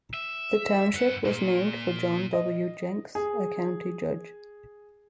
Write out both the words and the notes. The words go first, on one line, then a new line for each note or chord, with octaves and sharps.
The township was named for John W. Jenks, a county judge.
E5
G2 F#5
A#2
D#5
G#4